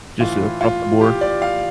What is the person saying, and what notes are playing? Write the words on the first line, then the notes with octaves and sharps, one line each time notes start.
Just across the board?
A2 E3 F4
F4
G4
D5
F5